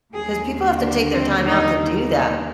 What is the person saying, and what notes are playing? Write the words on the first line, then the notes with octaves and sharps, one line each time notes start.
'cause people have to take their time out to do that,
D#2 D3 G3 A#3 G#4
D4
C4
D#4
D#4